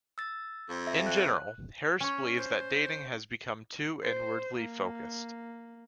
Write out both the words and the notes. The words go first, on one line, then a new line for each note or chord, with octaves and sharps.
In general, Harris believes that dating has become too inwardly focused.
E6 A6
F2
E5
F#6
C#4 C#5
C5
C5
A#3